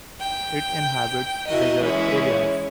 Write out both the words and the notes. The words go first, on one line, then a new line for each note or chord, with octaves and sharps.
It inhabits desert areas.
G5
E4 F#4 A#4 D#5
E3 G#3 C#4 E4